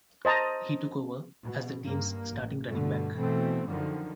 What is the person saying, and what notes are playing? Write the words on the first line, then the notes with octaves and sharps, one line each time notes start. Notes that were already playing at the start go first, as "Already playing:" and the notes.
He took over as the teams starting running back.
C5 D#5 A5 A#5
B2
G2 A#3
A1
G2 B2 D3 A3
B2 E3 A3 C4
F#2 D3 D#3 F3